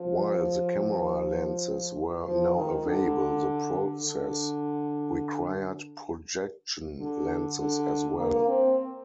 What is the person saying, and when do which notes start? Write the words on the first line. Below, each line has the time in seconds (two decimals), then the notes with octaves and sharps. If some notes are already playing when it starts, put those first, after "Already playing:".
While the camera lenses were now available, the process required projection lenses as well.
Already playing: F3
2.26 F3
2.56 D#3
2.85 D3
4.03 D3
6.99 D3
7.58 D3
8.18 A#3
8.47 C4